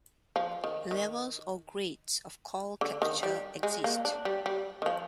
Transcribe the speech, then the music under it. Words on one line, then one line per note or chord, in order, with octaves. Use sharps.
Levels or grades of call capture exist.
F3
D#3
D#3
D3
D#3
G3
G#3
A#3
D4
G3
G3
D#3
F3